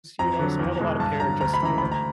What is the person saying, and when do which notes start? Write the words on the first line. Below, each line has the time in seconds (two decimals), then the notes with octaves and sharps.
s you know, so I have a lot of pair just, you know,
0.19 F2 A#5
0.39 D3 F#3
0.59 E2
0.80 B2 G#3
1.00 G2 A5
1.20 D3 F#3 A#5
1.41 D2 A#5
1.54 B5
1.61 C#3 E3 G#3 A#5
1.78 D2 B5
1.92 A#5